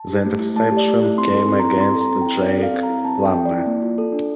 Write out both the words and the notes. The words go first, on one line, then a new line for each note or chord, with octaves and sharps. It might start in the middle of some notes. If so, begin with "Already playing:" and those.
The interception came against Jake Plummer.
Already playing: A5
G4
A3
E4
A3 A5
G4
D5
A3
E4
C4 C6
A4 C6
C4
E4 A#5
C4 C6
A4
A#5
C4
E4 G5
C4 D5
A4 F5
C4
A#5
E4
C4 A5
A4
G5
C4
D5
E4
A#3
F4
A4
D4